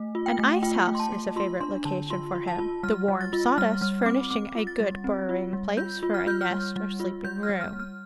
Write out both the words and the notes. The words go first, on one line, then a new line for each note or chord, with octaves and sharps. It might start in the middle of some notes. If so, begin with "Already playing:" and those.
An ice-house is a favorite location for him, the warm sawdust furnishing a good burrowing place for a nest or sleeping room.
Already playing: A3
F4
G5
A3
F4 G5
A3
C6
A5
A3
F4 C6
D4 C6
D3 A5
F4 C6
F4
A5
F4
G3 F6
G3
A6
F4
G3 F6
G3 F6
C4 D6
C4 D6
F4
A6
G3
C4
F4
G3
F4 G6
F4
F6
F4 G6
F6
G3
G3
F4
G3 G6
F6
G3
F6
G3
F6